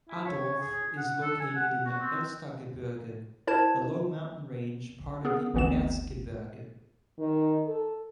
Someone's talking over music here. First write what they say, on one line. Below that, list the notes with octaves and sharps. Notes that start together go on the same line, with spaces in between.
Adorf is located in the Elstergebirge, a low mountain range, part of the Erzgebirge.
E4
C#5
G#4
F#5
A4
G#5
F#5
F#4
C4
E4 A#4 C5 A5 G#6 E7
B3 G#4 A#4
G1 D2 E3 B3 C4 E7
D#3
A4